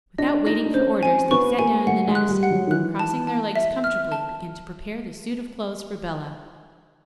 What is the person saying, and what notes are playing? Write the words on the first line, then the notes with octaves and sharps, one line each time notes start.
Without waiting for orders, they sat down in the nest and, crossing their legs comfortably, began to prepare the suit of clothes for Bellah.
D4 D#5
D#4 D#5
D4
C#4 C5
C4 G#5
B3 C#6
A#3 G#5
A3 F#5
G#3
F#6
G3
F#5
F#3
D#3
E3 F#6
A5
A5
E5
F6
A5